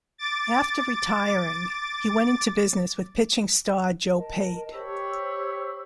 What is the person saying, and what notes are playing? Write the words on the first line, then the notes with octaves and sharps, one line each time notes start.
After retiring, he went into business with pitching star Joe Pate.
D6 A6
A#4 D#5 A5
G4 C5 C#5 B5 E6